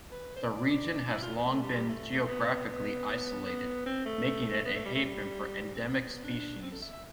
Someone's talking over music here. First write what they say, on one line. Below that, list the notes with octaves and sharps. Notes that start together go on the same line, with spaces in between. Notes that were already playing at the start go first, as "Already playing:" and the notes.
The region has long been geographically isolated, making it a haven for endemic species.
B4
C5
D5
D5
D5
E4
F4
B3
A3
G3
G3
A3
B3
B3
B3
C4
A3
B3
A3
G3
A3
G3
C4
B3
D4
C4
A4
E5
E5